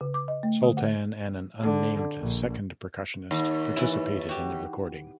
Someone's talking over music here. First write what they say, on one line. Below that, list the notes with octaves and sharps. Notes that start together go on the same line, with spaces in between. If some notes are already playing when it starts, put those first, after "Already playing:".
Sultan and an unnamed second percussionist participated in the recording.
C#3
D6
D#5
A3
D3
F#5
D3
A#1
D#2
E3 E4
F#4 G4